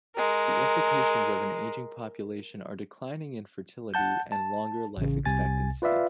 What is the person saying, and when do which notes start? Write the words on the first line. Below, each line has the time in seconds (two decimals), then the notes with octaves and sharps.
The implications of an aging population are declining in fertility and longer life expectancy.
0.16 G#3 A#4
3.94 F#5 A5 G6
4.32 A5
4.97 A1 C#3
5.25 C2 C3 G#5 A6
5.82 F4 B4 D5 E5 F5